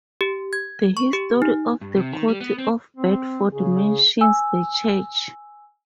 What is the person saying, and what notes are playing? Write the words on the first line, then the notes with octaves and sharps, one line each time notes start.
The history of the county of Bedford mentions the church.
G4
G#6
C#6
G4
D#4
G2
C3
D#3
G3
B3
C4
C4
C#3 G#4
G#5 E6